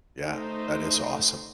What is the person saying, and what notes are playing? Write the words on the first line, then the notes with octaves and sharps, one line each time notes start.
Yeah, that is awesome.
A3 D#4 C5